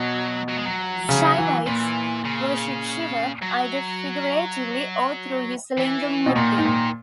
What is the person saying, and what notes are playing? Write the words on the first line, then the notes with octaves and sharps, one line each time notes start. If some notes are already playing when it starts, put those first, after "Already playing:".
Shaivites worship Shiva, either figuratively, or through his Lingam murti.
Already playing: B2 F#3
F#3
G#3
F#3
C#3
E3
A#2 E3
C#3
F#3
E3
B2
A#2 D#3
G#2
A#2